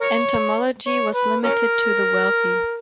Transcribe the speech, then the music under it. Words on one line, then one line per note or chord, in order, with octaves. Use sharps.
Entomology was limited to the wealthy.
A#4 C#5
C#5
B4
C#4 A#4